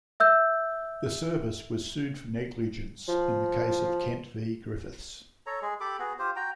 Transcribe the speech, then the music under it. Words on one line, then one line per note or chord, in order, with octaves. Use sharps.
The service was sued for negligence in the case of Kent v Griffiths.
E5 E6 G6
F3
A4 C#5 A#5
G#3 G#4
G4 A4 B5 D6
B3 F#4 G#4
F4 G4 C5
F#4 G5 A#5